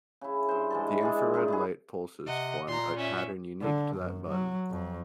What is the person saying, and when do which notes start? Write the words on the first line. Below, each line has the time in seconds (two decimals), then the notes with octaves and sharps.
The infrared light pulses form a pattern unique to that button.
0.21 C#3 E4
0.49 G2 C5
0.70 G#2 E3 A4
1.01 G#3 G#4 D5
1.34 G2 D#4 G#4
1.48 E4 F#4 G#4
2.26 C3 D#5 F#5
2.68 A#2 A#5 C6
2.97 C#4 E5
3.61 D3
3.96 F#2
4.28 F#3
4.70 F2